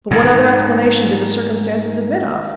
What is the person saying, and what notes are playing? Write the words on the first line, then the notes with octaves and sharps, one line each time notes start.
But what other explanation did the circumstances admit of?
G#2 D#3